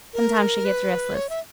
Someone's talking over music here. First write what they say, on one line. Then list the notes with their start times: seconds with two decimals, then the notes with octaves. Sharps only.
Sometimes she gets restless.
0.14 A#4
0.65 B4
1.15 C#5
1.29 E5